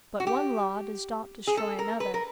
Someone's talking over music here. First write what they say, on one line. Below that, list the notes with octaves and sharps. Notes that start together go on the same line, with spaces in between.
But one law does not destroy another.
F#4
G4
G#4
A4
A#4
B4
A#4